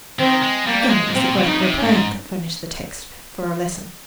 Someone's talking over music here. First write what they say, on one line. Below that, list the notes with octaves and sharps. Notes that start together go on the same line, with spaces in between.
Again, it was the growth of a plant that furnished the text for a lesson.
D#3 C4
G#3
G3 A#3
G#3
G#2
A#2 C4
C#3
D#4
C3
C#4
G#2